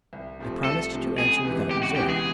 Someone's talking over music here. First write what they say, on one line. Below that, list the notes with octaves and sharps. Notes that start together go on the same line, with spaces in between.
I promised to answer without reserve.
C2
C3 F3 A3 C4
C2 A4
C3 F3 A3 C4
C#2 G#4
C3 E3 G#3 B3
C#2 G4
F#4
C3 E3 G#3 B3 G4
G#4